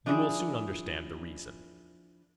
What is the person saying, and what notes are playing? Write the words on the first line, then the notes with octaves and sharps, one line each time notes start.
You will soon understand the reason.
F3 D4 E4 G#4 D5